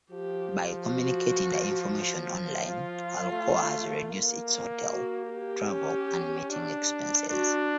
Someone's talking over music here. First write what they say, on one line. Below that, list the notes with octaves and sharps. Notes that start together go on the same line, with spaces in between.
By communicating the information online, Alcoa has reduced its hotel, travel, and meeting expenses.
F3 G4
F#4
F4
A3
A#3
F#4
G4
C#4
D4
D4 F#4